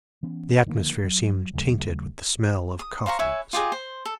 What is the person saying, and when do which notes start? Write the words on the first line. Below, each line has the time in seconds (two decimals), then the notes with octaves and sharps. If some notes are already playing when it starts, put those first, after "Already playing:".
The atmosphere seemed tainted with the smell of coffins.
0.23 E3 B3 C#4
0.66 D3 D#3 F3 A#3
1.04 F#3
1.53 D#2 C#3 F#3 A3
2.79 D#6
3.06 C5 F5 A#5 C#6
3.19 B4 C#5 E5 G#5
3.53 F4 G4 G#4 D#5
3.72 C5
4.05 A4